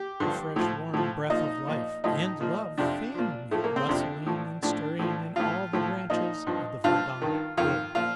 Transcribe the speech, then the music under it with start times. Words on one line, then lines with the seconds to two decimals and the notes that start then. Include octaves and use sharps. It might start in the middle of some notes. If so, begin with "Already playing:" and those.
A fresh, warm breath of life and love fanned me, rustling and stirring in all the branches of the verdant grove.
Already playing: G4
0.20 G2 D3 F3
0.56 A2 F3
0.93 A2 F3
1.30 A#2 F3 D#4
1.67 A#2 F3
2.04 A2 F3 D#4
2.40 A#2 F3
2.78 F2 C3 F3 D4
3.14 A#2 F3
3.51 A2 F3 A3
3.64 A#3
3.76 C4
3.89 F2 C3 F3 D4
4.26 A2 F3
4.63 A2 F3 D4
4.99 A2 F3
5.36 A2 F3 F4
5.73 A2 F3
6.10 A#2 F3 D#4
6.47 G2 F3
6.84 G2 F3 F4
7.22 G2 D#3
7.57 F2 D#3 F4
7.95 A#2 F3 F4